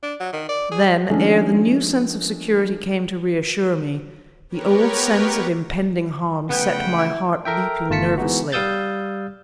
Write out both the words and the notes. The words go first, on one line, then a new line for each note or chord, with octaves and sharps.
Then, ere the new sense of security came to reassure me, the old sense of impending harm set my heart leaping nervously.
D4
F#3
D#3
D5
G#4
D#3 F3 G#3 A3 C#4 D4
B3 G4 A#4 B4 C#5
C#3 F3 A3 B3 B4 F#5 G5
E4
A4 A#4 E5 G5
G1 A3 F4 A5 B6 C#7
E3 G#3 B3 D#4 F#4
G3 F5 D#6 E6 G6 A6